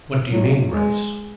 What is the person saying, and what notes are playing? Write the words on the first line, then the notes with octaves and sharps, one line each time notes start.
"What do you mean, Grace?"
F#3
G#3